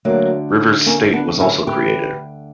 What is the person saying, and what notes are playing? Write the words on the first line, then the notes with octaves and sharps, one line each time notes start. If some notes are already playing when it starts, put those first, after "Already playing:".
Rivers State was also created.
D2 D3 F#3 A#3
A#3 C#4
B3 D4
C#4 E4
G4 B4